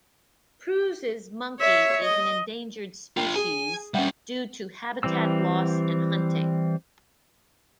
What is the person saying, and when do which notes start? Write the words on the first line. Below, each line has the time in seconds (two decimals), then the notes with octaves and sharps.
Preuss's monkey is an endangered species, due to habitat loss and hunting.
1.60 C#5 E5
2.04 D#5
3.17 D4 F4 G5
3.36 G#4 G#5
3.94 G3 C#4 E5 F#5 G5
5.03 E3 G3 C4 E6